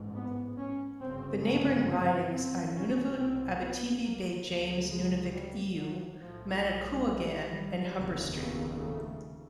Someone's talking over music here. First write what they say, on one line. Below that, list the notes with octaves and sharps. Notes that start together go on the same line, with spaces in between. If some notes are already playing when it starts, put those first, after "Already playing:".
The neighbouring ridings are Nunavut, Abitibi-Baie-James-Nunavik-Eeyou, Manicouagan, and Humber-St.
Already playing: A1 G#2
B3
C#4
G1 F#2 C#3 C4
C#4
C4
C4
C2 B2 C#4
C4
B3
A#3
D2 C#3 A#3
G#3
G3
F#3
B1 A2 F3
G3
G3
G3
F1 D#2 C#3
B3
A3